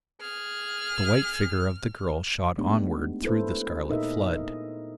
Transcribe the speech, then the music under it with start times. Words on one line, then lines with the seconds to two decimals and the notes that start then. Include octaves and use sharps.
The white figure of the girl shot onward through the scarlet flood.
0.21 G#4 F6
2.58 G#3 A3 B3 D4 D#4 G4
3.24 E4 A4 B4 C5
3.89 A#2 D#4 G#4 A#4 D#5 E5
4.36 D#5